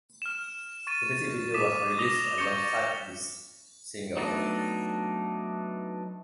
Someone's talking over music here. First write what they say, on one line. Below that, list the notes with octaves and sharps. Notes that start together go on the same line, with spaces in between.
The music video was released alongside the single.
F6 E7
C#6 A6 D#7
D6 D#6 B6 E7
D6 D#6 A#6 F7 G7
C#6 D#6 G6 A6 C#7 G7
F#3 A3 B3 D4 D#4